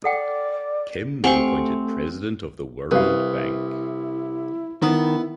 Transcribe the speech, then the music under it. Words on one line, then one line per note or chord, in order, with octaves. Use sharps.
Kim was appointed President of the World Bank.
A4 D5 F#5 G5
A3 C4 G4 F5 F#5 G#5 C#6
C2 E4 B4 F5
D#3 B3 E4